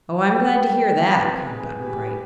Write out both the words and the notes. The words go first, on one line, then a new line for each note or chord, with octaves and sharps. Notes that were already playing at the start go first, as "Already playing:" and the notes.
"Oh, I'm glad to hear that!" cried Button-Bright.
G4
C4 B4
G#4
G4 B4